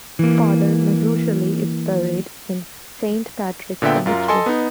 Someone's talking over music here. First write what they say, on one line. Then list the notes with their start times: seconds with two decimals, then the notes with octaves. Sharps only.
Father Mazzuchelli is buried in Saint Patrick's cemetery.
0.19 E3 A#3
3.82 A#2 D3 B3 E5 G5
4.06 F#2 F4 A#4
4.28 A4 D#5 G#5 C6
4.46 B3 D#4